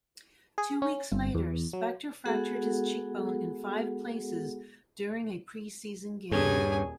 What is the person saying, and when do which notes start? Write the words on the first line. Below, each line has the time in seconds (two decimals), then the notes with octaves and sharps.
Two weeks later, Spector fractured his cheekbone in five places during a pre-season game.
0.58 G#4
0.82 C#4
1.12 G1
1.35 E2
1.73 F#3
2.25 G#3 B3 F#4 G#4 A4 F#5
6.31 D#1 G2 C#4 G#4 A4 C#5 G#5